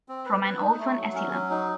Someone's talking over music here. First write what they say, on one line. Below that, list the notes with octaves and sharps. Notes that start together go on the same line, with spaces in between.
From an orphan asylum!
C4
B4
B4
D#4
A3
F#3
C#4
F#3
D#4